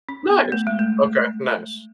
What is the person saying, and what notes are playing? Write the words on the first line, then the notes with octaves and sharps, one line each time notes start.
Nice. Okay, nice.
C#4
B3
A3
G#3
A3